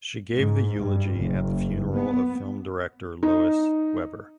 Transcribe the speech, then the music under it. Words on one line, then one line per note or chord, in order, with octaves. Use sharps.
She gave the eulogy at the funeral of film director Lois Weber.
G#2
G2
F#1
B3
D#4